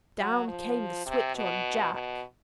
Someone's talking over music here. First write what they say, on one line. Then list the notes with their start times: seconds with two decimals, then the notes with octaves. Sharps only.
Down came the switch on Jack.
0.19 F#3
0.48 F3
1.06 C3
1.35 B2
1.93 B2